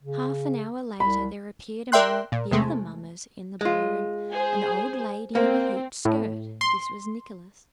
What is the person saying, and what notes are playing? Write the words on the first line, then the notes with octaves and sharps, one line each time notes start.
Half an hour later there appeared among the other mummers in the ballroom an old lady in a hooped skirt--this was Nicholas.
C#3
C2 B5
A#4 D5 E5 G5 C6 F#6
A#2
E2 C3 G#3 A3
G#3 F4
G#4 C5
A#3 C4
A2
C6